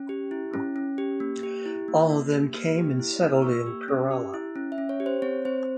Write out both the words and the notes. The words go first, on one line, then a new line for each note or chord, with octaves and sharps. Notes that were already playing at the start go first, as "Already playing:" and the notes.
All of them came and settled in Kerala.
Already playing: C#4
G4
E4
C#4
C#4
G4
A#3
G4
E4
A#3
A#3
G4
A#3 F6
G4
E4
A#3 F6
E6
A#3 C#6
E6
G4
C#4
G4
E4
C#4
E5
C#4
C#5
G4
C5
C4 C#5
C4 C5